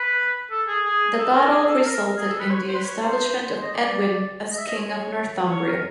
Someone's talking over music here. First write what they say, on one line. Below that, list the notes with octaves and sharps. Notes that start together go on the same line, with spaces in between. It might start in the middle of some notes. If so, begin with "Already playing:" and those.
The battle resulted in the establishment of Edwin as king of Northumbria.
Already playing: B4
A4
G#4
G#4
A4
A#4
G#4
A4
A#4
A#4
G#4
A4
B4
C#5
C5
B4
C#5
C5
C5
D#5
D5
D#5
E5
D#5
C#5
C#5
A#4